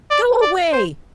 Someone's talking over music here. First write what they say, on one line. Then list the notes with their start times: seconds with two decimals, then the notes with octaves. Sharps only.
Go away.
0.11 D5
0.42 D5
0.73 C5